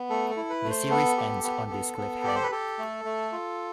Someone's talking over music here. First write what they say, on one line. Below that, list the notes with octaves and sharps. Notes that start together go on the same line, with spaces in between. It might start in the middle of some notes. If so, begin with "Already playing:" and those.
The series ends on this cliffhanger.
Already playing: B3
A3 A4
A4
E4
B4
A3
C5
B3 A4
G4
B3
B3
B3
G4 D5
C5
B4
G4 A4
A3
A3
F4